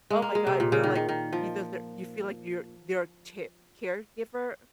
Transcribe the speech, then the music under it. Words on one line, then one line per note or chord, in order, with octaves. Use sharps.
oh my god, you're, like, either their you feel like you're their tear caregiver?
G#3
A#3
G#3
C3
A#2
C#3
D#3
D#3
D#3
F3